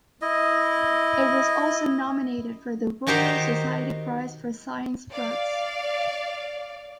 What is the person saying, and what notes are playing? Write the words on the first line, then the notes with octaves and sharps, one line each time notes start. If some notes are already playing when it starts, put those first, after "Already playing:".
It was also nominated for the Royal Society Prize for Science Books.
E4 D#5
D#3 D#4 F#4 G4 C5 A#5
D5 F5